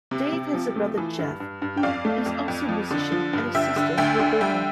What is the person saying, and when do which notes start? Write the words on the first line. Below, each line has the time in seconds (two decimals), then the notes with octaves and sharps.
Dave has a brother, Jeff, who is also a musician, and a sister, Roberta.
0.11 C3
0.32 C3
0.54 F3
0.76 A3
0.98 E3
1.19 G2
1.40 G2
1.62 G2
1.77 G5
1.83 F2 D5 F5
2.05 A3
2.26 F2
2.48 F2
2.69 F3
2.91 D3
3.12 F3
3.33 G2
3.55 D3 E5 G5
3.76 D3
3.98 D2 E5 G5
4.19 D3
4.41 G3 E5 G5